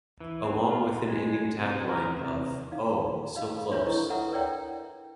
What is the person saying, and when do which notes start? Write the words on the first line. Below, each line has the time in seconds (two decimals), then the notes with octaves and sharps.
Along with an ending tagline of, Oh, so close!
0.20 E3
0.44 C4
0.71 F4
0.87 A#2
1.07 G#3
1.58 C3
1.89 A#4
2.19 C3
2.72 D#4 F5
3.36 D#4 A#4 D#5 F5
3.71 D4 F4 A4 B4 C#5 E5
3.87 E4 A4 C#5 D#5 A#5 C#6
4.10 A4 B4 E5 F#5 A#5 D#6
4.32 A#4 C#5 D5 E5 G5 A#5